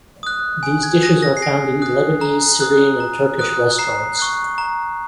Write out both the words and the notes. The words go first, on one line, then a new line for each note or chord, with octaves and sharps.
These dishes are found in Lebanese, Syrian, and Turkish restaurants.
D#6 F#6
G#5
G#6
D#6 F#6 A#6
A#6
C7
G#5 A#6
D#6 F#6
A#5
D#6 F#6
A#5
D#6 F#6
A#5 C7
C#6 F#6
A#5